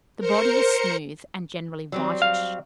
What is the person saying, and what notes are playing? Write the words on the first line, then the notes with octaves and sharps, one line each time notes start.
The body is smooth, and generally whitish.
A#4 C5 C#7
F#3 G3 C4
F5